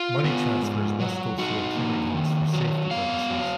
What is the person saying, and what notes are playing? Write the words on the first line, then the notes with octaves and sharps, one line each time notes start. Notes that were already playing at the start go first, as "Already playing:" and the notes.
Money transfers must go through a clearinghouse for safety purposes.
Already playing: F4
B3
G#2
F#3
D#4 F#4
A#3
D#3
F#3
B3 F5
F#3